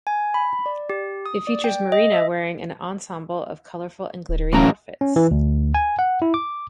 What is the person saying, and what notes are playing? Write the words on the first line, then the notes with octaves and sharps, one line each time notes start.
It features Marina wearing an ensemble of colorful and glittery outfits.
G#5
B5
D5
G4
D#6
D5
G5
D#5
E5
D1
A2 E3 F#3 A#3 C#4 A#5
C#4
E3
D2
G#5
F#5
E4
D6